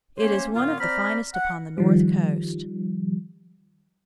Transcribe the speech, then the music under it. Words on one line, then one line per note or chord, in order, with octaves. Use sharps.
It is one of the finest upon the north coast.
A3 A#3 C#4 G4 C5 C#5
A#2 D#3 B3 C#4 F4
C4 C5 D5 A#5 B5 F6
F#5
D#3 F3 G3